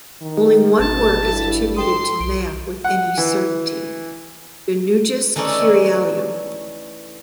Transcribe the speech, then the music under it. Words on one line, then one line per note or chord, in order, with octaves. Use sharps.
Only one work is attributed to Map with any certainty: "De Nugis Curialium".
D#3
G#1 B2 A5
G2 E4 A4
A4 G5 C6 D#6
B1 D7
F#5
E3
E3 A3 C#4 D#4 D5